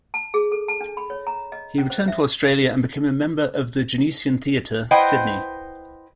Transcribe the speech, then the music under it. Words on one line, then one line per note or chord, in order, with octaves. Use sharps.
He returned to Australia and became a member of the Genesian Theatre, Sydney.
A5
G#4
A4
A5
D4
B5
C#5
A#5
D#5
C#4
C5
E5
E4 B4 C5 D#5 F#5 G5